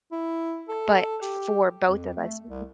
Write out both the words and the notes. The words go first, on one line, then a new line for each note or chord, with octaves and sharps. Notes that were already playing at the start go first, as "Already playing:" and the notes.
but for both of us, m
E4
A4
G4
F2
A3
C2